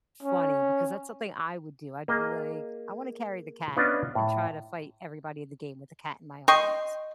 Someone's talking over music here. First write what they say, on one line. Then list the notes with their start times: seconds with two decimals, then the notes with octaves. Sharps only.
funny because that's something I would do. I'd be, like, "I wanna carry the cat and try to fight everybody in the game with the cat in my arms."
0.23 C#4
2.08 A#3 G#4 D#5
3.77 B3 C#4 D4 F4 D5 D#5
4.15 A2
6.48 D#5 G5 C6 C#6